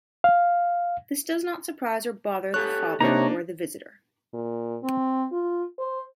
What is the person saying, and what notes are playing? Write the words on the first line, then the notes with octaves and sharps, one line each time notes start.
This does not surprise or bother the father, or the visitor.
F5
G4 A4 C#5 F#6
C3 A#3 D4 D#4 C#5 A#5
A#2
C4
F4
C5